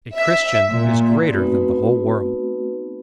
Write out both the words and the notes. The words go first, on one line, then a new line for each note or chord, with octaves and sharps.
A Christian is greater than the whole world.
E5
A#2
A3 B3 C4 D#4 F#4 B4